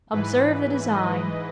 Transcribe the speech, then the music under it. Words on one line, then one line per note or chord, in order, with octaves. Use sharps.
Observe the design!
G#2 E3 B4
D#5